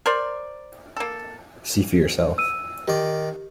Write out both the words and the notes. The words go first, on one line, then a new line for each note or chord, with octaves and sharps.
See for yourself.
A#4 C5 D5
A#3 A4
E6 D#7
D#3 G4 D5